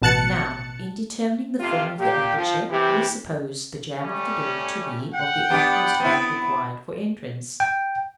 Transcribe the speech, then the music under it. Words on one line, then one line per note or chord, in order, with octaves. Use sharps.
Now, in determining the form of the aperture, we supposed the jamb of the door to be of the utmost height required for entrance.
A1 B2 A5 F#6 A6 C#7
F2 C3 F4
A#2 A#3 G4
F3
C3 E3 G4
G3 A3 C#4
F#5 G5
B3 D4 G4
B3 C4 E4
G5